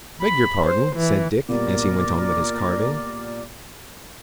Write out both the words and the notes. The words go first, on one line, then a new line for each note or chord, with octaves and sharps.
"Beg your pardon," said Dick, as he went on with his carving.
B5
C5
E3
A#2 G3 B3 A#4 D5 D6